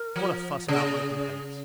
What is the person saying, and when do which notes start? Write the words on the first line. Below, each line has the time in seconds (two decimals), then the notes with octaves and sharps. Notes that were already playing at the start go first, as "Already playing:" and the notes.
What a fuss about my complaints!
Already playing: A#4
0.16 F3
0.68 C#3 G#4